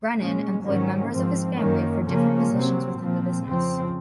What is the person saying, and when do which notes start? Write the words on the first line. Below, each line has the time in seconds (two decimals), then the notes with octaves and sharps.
Brennan employed members of his family for different positions within the business.
0.18 A#2 G#3 C#4
0.64 G#2 D#3 F#3 C#4
1.10 G#2 F3 C4
1.58 F#2 D#3 A#3 C#4
2.04 C#3 F3 A#3 C#4
2.51 C3 F#3 C4
2.98 A#2 F3 C4
3.44 F2 C#3 F3 C4